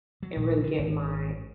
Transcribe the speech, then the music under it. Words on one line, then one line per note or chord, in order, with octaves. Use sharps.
and really get my
F#3
A#1
D3
G#1